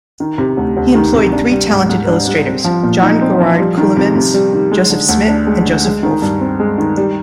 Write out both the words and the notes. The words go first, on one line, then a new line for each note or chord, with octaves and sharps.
He employed three talented illustrators: John Gerrard Keulemans, Joseph Smit and Joseph Wolf.
D#3
C3
D2
D2
D#3
C3
D4
G3
G#2
G#2
D4
G3
C4
F3
A#2
D#4
C4
F3
G3
D#3
C3
C3
G3
D#3
G#3
D3
D2
D4
G#3
D3
G#3
D#3
G2
C4
G#3
D#3
G3